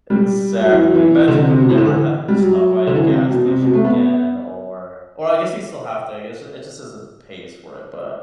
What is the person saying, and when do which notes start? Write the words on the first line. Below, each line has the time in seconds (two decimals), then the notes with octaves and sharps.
Exactly. Imagine never having to stop by a gas station again, or or I guess you still have to, I guess it just says it pays for it, but
0.10 G3
0.61 F#3
0.72 E3
0.83 F#3
0.94 E3
1.28 D3
1.39 C3
1.50 C3
1.62 B2
1.70 A2
1.78 D3
1.86 E3
2.28 G3
2.39 F#3
2.50 F#3
2.87 D3
2.95 E3
3.06 C3
3.29 B2
3.46 C3
3.62 B2
3.74 A3
3.84 B3